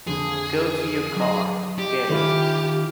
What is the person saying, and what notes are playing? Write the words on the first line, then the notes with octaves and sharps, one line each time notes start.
Go to your car, get in.
F2 D3 G#4
F#3 D#5
G4
D#3 E4 F4 G4